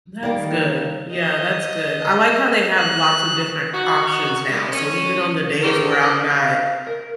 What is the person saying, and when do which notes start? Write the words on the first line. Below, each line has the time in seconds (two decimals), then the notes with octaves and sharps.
That's good. Yeah, that's good. I like how they have lots of different options now, so even on the days where I'm not,
0.23 D#3 G3 A#3
1.12 D#5
2.77 F#6
3.72 D#4 F#4
4.49 D#3 G3 G#3
4.72 C#4
5.62 E2 G#2 C#4 G4 A#4
6.00 A#4 D5 D#5
6.34 F5
6.87 A#4